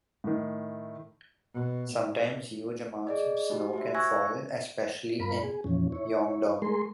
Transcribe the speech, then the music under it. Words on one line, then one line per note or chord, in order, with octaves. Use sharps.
Sometimes huge amounts of snow can fall, especially in Yeongdong.
A2 D#3
B2
A2
G#4 D5 D#5
A3 D#4 F#4 G4
F#4 C5 E5
G#5 C#6 E6 F#6 G#6 A#6
G2 F4 A#4 B5
G#4
F2 A#2 E3 F3 C#4
E4 C#5
G#3 A3 G#4 A#4 C6